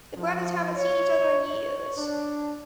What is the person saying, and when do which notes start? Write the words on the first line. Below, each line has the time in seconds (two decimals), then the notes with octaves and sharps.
The brothers haven’t seen each other in years.
0.17 F3
0.76 C#5
1.45 C#5
1.96 D4